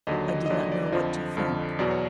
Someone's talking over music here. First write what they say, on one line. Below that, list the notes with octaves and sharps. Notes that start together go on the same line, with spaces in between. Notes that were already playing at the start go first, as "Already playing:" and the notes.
I did not know what to think.
D#2 D3 F#3 D#5
D#5
D#5
D#2 D3 F#3 D5
D5
D5
F2 D3 F3 D#5
F2 D3 F3
E2 B2 F#3 D5
C#5